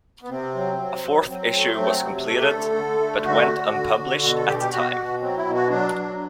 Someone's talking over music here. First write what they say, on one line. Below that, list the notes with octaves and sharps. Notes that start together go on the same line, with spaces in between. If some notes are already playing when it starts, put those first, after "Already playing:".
A fourth issue was completed but went unpublished at the time.
B3
C3 C4
F#3
F#3
F#3
F#3 C4
A3
F#3
C3
A3 A4
G4
A4
D3
D3
A3
D3 F#4
D3
D3
D3
B2 F#4
A4
B2 G4
G4
B2 F#4
B2
F#3 C4
E4
B2
F#4
F#3 D4
F#3